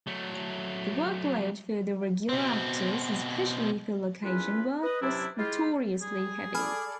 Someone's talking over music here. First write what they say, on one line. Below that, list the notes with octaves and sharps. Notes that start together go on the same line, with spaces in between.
The workload for the regular actors, especially for location work, was notoriously heavy.
F#3 A3
B2 C4
E2 A#2 C#4 F4 B4
B4 D#5
C3 E3 F#3 C#4 D4 E4
G#3 E4 F4 G4
G3 G#4
A4 D5 G#5 B5 F6